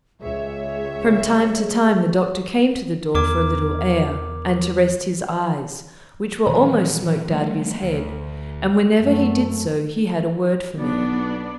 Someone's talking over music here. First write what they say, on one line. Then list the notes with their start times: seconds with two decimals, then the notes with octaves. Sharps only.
From time to time the doctor came to the door for a little air and to rest his eyes, which were almost smoked out of his head, and whenever he did so, he had a word for me.
0.22 C#2 G#3 G#4 C#5 E5
3.15 E2 A#4 D6 G#6
6.47 A#2 D#3 E3 F#3
7.31 F3 G3 A3 A#3
7.82 D2
9.00 F#2 A3
10.78 B1 B3 D4 D5